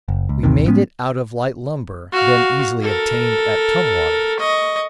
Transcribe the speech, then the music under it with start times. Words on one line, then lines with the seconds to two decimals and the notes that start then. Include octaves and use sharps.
We made it out of light lumber, then easily obtained at Tumwater.
0.08 F#1
0.29 C#2
0.43 A1 D#2 C3 D#3
0.67 A2 G#3 B3 C#4
2.12 F#4 F5
2.82 A4 A#4
4.39 D#5 C#6